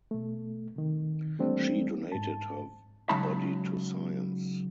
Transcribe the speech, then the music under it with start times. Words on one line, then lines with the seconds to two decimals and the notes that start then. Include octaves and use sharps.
She donated her body to science.
0.11 B2 A3
0.76 C3 D#3
1.39 E3 G3 A3 A#3 C4 D4
2.12 G#2 A5
3.09 C#3 F#3 G#3 D#4 A5 B5